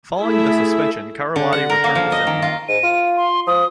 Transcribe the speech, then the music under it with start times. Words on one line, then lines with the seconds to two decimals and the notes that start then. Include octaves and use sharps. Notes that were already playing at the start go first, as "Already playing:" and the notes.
Following the suspension, Karalahti returned to Finland.
0.21 A3 E4 G#4 E5
1.36 D3
1.53 F#5
1.70 A#4
1.84 A#3
1.95 F3
2.12 D#5
2.27 D#3
2.42 F4
2.69 G#2 D#7
2.83 F4
3.17 C6
3.47 F3 D#6